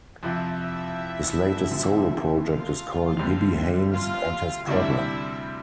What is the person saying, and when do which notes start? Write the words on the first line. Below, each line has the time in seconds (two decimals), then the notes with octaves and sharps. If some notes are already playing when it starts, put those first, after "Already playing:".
His latest solo project is called Gibby Haynes and His Problem.
0.23 F2 C3 F3 E4 E5
0.60 E4 E5
1.71 D2 C3 F3
2.45 F4 F5
3.19 D2 D3 G3 C4
3.93 F4 F5
4.67 D2 C3 G3 D4 E4 E5